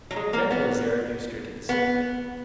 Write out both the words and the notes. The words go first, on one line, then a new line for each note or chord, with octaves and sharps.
Gentle is Zarathustra to the sickly.
F#3
G#3
A#3
B3
B3